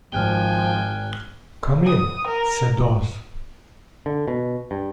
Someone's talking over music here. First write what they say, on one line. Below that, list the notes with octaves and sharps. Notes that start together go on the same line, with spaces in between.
"Come in," said Oz.
G#1 F3 G5 G#5 F6 F#6 G7
D#6
A#4
D3
B2
G2